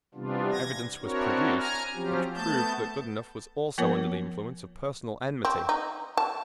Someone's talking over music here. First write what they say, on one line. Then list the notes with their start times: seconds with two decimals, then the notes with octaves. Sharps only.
Evidence was produced which proved that Goodenough was also under the influence of personal enmity.
0.14 C3 E3 G3 B3 D4 F4
0.51 G#6 A#6
1.02 C4 D4 E4 F#4 A#4 C#5
1.58 G#5 A#5 F6
1.94 F3 F#3 C4 C#4 F4 G4
2.35 A3 B3 A5 G6
3.78 F3 A#3 B3 F4 A#4 C#5
5.45 C4
5.69 D#4
6.17 A5